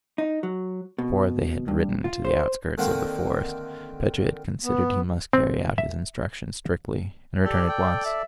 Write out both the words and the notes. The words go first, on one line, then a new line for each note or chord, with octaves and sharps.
Before they had ridden to the outskirts of the forest Petya had considered he must carry out his instructions strictly and return at once.
D#4
F#3
B2
G2
F4
C5
D3 D#3 A#3 C4 F5 F#5
B3
C4
E5
G4 A4 D5
G5
E5